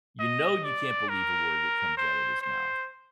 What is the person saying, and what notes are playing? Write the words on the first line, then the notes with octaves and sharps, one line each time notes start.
You know you can't believe a word that comes out of his mouth.
D#5
D5
A#4
C5
C5